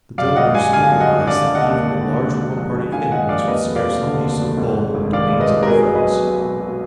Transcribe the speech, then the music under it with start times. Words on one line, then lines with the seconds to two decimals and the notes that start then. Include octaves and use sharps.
The Delawares realized that even a large war-party of enemies would scarcely be so bold in the domains of their foes.
0.18 F#2 D5 F5
0.36 G#1 D#5 F#5
0.55 G#1 F5 G#5
0.73 D3 F5 G#5
0.91 F#2
1.00 D#5 F#5
1.10 G#1
1.27 D3 D5 F5
1.46 D3
1.55 D#5 F#5
1.65 D#2
1.82 D#2
2.01 D3
2.19 D3
2.37 G#2
2.57 A#1
2.75 A#1
2.92 D#3 F5 G#5
3.11 G#2 D#5 F#5
3.29 A#1 D5 F5
3.47 D#2 B4 D#5
3.66 F1
3.76 D5 F5
3.85 F1
4.03 D3
4.21 D#2
4.39 F1
4.57 G#2
4.76 G#1
4.94 G#1
5.12 D#3 D5 F5
5.31 G#2
5.40 B4 D#5
5.50 G#1
5.63 A#4
5.67 B2 G#4 B4
5.87 B2
5.95 B4 D#5
6.04 B1
6.23 B1
6.41 B2
6.60 B2